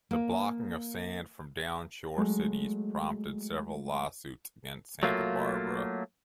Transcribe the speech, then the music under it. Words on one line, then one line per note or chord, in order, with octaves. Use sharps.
The blocking of sand from downshore cities prompted several lawsuits against Santa Barbara.
A#3
F#3 G#3 A3
F#3 A3 A#3 F4